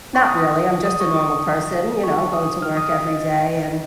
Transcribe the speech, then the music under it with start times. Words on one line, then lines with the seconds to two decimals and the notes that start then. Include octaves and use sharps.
not really, I'm just a normal person, you know, going to work every day, and
0.15 C#6
0.27 D#6
0.85 D#6
1.00 C#6
1.11 C#6
1.16 D#6
2.04 C#6
2.19 C#6
2.33 D#6
2.62 F6
2.77 D#6
2.92 F5
3.07 D#5